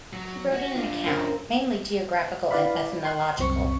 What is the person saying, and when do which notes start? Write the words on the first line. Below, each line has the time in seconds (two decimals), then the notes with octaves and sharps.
He wrote an account, mainly geographical and ethnological.
0.13 F#3
0.52 F#4
0.76 D4 F4
1.04 F#2 A#3 C4
2.51 E4 B4 D5 F5 B5
3.05 C6 F#6
3.38 C2 F#2 C4 C#6